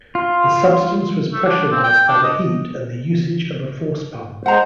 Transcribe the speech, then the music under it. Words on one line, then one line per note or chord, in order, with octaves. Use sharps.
The substance was pressurized by the heat and the usage of a force pump.
F4
A3
D4
C4
G5
D4
D#5
G#3 C5 F#5 A#5